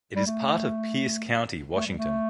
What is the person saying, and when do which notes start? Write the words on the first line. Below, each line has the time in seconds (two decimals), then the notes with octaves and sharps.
It is part of Pierce County, Washington.
0.15 G3
0.26 A3
1.75 A3
1.87 G3
1.97 A3